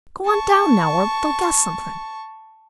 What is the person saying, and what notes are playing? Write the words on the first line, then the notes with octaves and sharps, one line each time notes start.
Go on down now, or they'll guess something.
A5 C#6